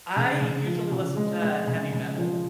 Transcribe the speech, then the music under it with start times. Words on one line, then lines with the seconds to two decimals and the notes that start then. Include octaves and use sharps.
I usually listen to heavy metal.
0.16 C#3
0.41 C#3
0.66 F3
0.91 C#3
1.16 G#3
1.42 G#3
1.67 C#3
1.92 C#3
2.18 F3